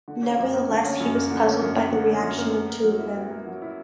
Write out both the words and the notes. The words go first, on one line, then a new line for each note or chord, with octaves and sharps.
Nevertheless, he was puzzled by the reaction of two of them.
D3
C#4
F#2
A#3
D3
C#4
F#2
A#3
D3
C#4
F#2
A#3
D3
C#4
F#2
A#3
B3
A#4
F#3
E4
B3
A#4
F#3
E4